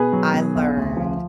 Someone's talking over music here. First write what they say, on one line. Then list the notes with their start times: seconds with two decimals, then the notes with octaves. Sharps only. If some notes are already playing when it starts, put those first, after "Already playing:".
I learned,
Already playing: B2 G#4 B4
0.13 F#3
0.34 B2
0.55 B1
0.77 D2
0.97 F3